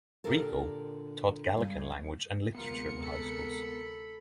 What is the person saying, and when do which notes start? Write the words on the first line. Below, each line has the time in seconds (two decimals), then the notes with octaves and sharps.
Rego taught Galician language and literature in high schools.
0.24 A#2 D3 D4 G4 A4 A#4
1.57 G2 C#3
2.55 D2 C3 G#3 B3 F4 A#4 C#7
3.02 A4 B5